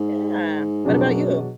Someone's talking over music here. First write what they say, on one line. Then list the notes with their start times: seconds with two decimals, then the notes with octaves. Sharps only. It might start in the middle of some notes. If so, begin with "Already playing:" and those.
Yeah, what about you?
Already playing: G#2
0.85 F2 B2 F#3 D4 G#4
1.13 F#2